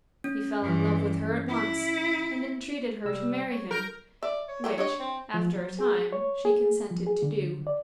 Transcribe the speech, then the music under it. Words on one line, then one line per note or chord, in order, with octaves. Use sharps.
He fell in love with her at once, and entreated her to marry him, which, after a time, she consented to do.
C#4
G2 E3
E4
C2 G3 E6
C#5
A#4 G6
D5 E5
C#5
E3 F#3 G4
D4 G4 C#5 D#5
C4
F3
F#3
G#4
C#5
G#4
F3
G#4
D3
D5